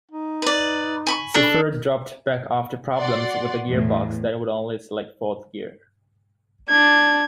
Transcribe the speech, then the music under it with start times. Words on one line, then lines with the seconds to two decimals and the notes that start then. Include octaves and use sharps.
Siffert dropped back after problems with a gearbox that would only select fourth gear.
0.11 D#4
0.42 B4 D5
1.07 G#5 B5 C#6
1.34 D4 A4
2.98 F#4 D5 F#5 C6
3.67 E2 A2
6.70 D4 G#6